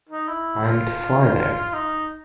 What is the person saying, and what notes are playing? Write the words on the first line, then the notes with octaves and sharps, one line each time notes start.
I'm to fly there.
D#4
E4
F4
D#4